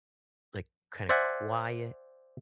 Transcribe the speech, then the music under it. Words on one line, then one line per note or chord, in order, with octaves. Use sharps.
like, kinda quiet.
C5 D5 E5 F#5 G#5